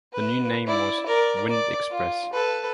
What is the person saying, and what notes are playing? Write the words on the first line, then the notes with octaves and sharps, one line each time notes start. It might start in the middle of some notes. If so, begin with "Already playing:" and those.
The new name was "Wind Express".
B4
E4 D5
A#4 D5
D5
F4
A4 B4